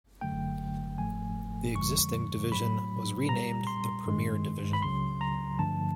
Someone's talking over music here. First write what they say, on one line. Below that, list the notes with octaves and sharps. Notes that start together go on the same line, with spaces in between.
The existing division was renamed the Premier Division.
F#2 D3 F#3 A3 G5
G#2 F3 A3 G#5
F2 D3 F3 G#3 C#6
A2 F#3 A3 B5
A#2 G3 A#5
C6
G2 D#3 G#3
B5
C#2 C#3 F#3 C6
A#5
G2 D3 F3 A3 A5